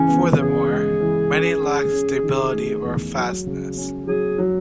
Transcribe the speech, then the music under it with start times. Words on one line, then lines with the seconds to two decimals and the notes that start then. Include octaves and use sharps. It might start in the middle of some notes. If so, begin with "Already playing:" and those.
Furthermore, many lacked stability, or fastness.
Already playing: C#3 E3 C#4
0.09 B3
0.39 C#3 G#4
0.70 G#3
1.01 E3
1.31 C#4
1.62 C#4
1.93 C#4
2.23 D#3
2.54 A3
2.85 E2
3.15 F#3
3.47 C#3
3.77 C#4
4.07 F#3 G#4
4.38 F#3